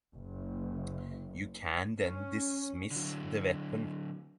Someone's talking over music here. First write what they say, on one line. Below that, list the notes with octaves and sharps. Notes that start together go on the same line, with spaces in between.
You can then dismiss the weapon.
F#1
C#4
D3 F#3